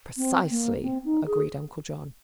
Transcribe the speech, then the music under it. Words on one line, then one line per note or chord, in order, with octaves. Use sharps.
"Precisely," agreed Uncle John.
C4
A#3
C4
D#4
G#4